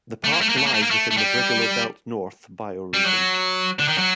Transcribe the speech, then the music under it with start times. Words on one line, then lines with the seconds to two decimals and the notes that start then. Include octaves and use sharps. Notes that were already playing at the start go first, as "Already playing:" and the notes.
The park lies within the Brigalow Belt North bioregion.
0.24 A3
0.33 A#3
0.41 A3
0.49 A#3
0.57 A3
0.66 A#3
0.74 A3
0.82 A#3
0.90 A3
1.11 A3
1.17 G3
2.94 G3
3.04 F#3
3.79 D3
3.88 D#3
3.98 F#3